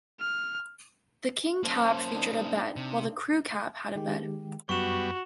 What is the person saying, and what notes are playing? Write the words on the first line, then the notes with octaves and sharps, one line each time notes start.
The King Cab featured a bed, while the crew cab had a bed.
F6
A#3 C#4 C5 A5
D4 D#4 G4
C3
D#3 G#3 G4
F#2 G3 B3 F#4 C#6 E7